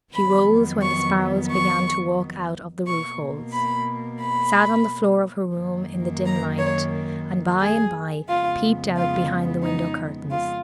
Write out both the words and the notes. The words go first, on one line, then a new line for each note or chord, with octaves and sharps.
She rose when the sparrows began to walk out of the roof-holes, sat on the floor of her room in the dim light, and by-and-by peeped out behind the window-curtains.
F2 D#3 F#3 B3 B5
C#6
C#6
B2 A#3 C#6
B5
B5
F#2 D#3 A#3
A#5
C#5
G#4
F2 C#3 G#3 B3 F4
F4
D#4
F4